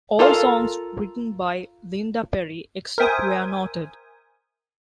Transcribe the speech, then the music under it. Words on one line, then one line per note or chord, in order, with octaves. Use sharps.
All songs written by Linda Perry, except where noted.
F4 A4 A#4 F5
A#4 C5 E5 G5 G#5 D#6